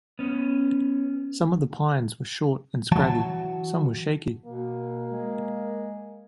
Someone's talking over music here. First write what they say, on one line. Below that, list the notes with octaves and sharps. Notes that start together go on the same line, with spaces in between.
Some of the pines were short and scraggy, some were shaky.
B3 C#4
E3 F#3 F#4 A5
B2 A#3
G#3